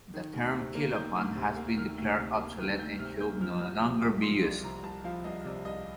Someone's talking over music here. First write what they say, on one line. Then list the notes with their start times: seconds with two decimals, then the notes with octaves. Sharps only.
The term "kilopond" has been declared obsolete and should no longer be used.
0.14 D#3
0.33 D2
0.54 C3
0.75 A#3
0.95 D#3 G6
1.16 D2
1.35 C3
1.56 A#3
1.77 D#3 F6
1.98 D2
2.18 C3
2.38 A#3
2.58 D#3 F6
2.79 D2 G6
2.99 C3 F6
3.20 A#3 G6
3.41 F3 F6
3.60 C2 F6
3.81 C3 D#6
4.01 C2 D6
4.22 F3 C6
4.43 C2 C6
4.63 C3 A#5
4.83 C2 A5
5.04 F3 F5
5.24 C2 D#5
5.45 C3 D5
5.65 C2 D#5